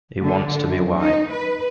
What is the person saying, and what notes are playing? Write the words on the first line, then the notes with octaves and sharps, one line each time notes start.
He wants to be white.
D3
F#2
D#4
B4